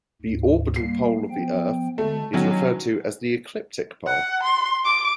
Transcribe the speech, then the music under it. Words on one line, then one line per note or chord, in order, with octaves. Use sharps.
The orbital pole of the earth is referred to as the Ecliptic pole.
D2 G#2
G3 A#3 C7
F3 B3 G5
D3 G#3 A3
D#3 F#3 C#4 E4
F#5
C6
D6